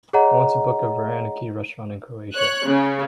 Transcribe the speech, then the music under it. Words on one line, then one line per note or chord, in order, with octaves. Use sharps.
I want to book a varenyky restaurant in Croatia.
G#4 C#5 D#5 F#5 A#5
C#5 F#6
C#3